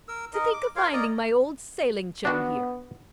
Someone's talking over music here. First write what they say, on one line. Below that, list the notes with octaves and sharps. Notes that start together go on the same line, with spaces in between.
To think of finding my old sailing chum here!
A#4 E6
D#4 A#4 D#5
D6
F4 A#4 C#5 F5
A#4 D5 D#5 A#5
B3 D4 F#4